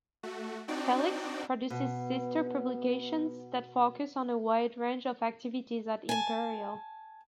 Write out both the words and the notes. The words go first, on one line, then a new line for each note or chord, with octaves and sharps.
"Felix" produces sister publications that focus on a wide range of activities at Imperial.
A3 F#4
C4 D4 D#4 F#4 D5 G5
B2 B3
G#5 A5